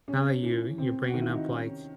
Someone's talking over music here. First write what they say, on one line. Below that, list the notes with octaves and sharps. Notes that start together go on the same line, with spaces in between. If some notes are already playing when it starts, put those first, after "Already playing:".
Now that you you're bringing up, like
C3 C#4
E3
C3 C4
F#4
D#3
E4
D#4
C3 C#4